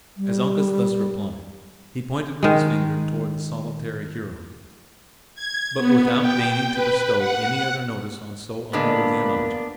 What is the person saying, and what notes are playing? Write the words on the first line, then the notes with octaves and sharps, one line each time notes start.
As Uncas thus replied, he pointed with his finger toward the solitary Huron, but without deigning to bestow any other notice on so unworthy an object.
G3
D#3 G#3
G#6
B3
G5
B4
F#5
A#2 D3 G#3 A#3 B3 D4 B5